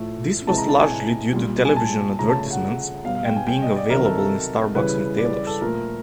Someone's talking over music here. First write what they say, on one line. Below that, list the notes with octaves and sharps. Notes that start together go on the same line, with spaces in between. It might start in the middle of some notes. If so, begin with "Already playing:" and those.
This was largely due to television advertisements and being available in Starbucks retailers.
Already playing: A2 F3 A3
C3 E3 G#3 A5
A#5
A5
G#5
A#2 G3
G#5
A5
C#3 F3 A3 A#5
A5
A5
F#5
B2 G3 F5
F5
G5
G#5
G5
D#5
D5
C3 D#3 F#3 A#4
A4
A4
C#3 E3 G3 B4
D5
D5
A4
A#2 F3 A3 A#4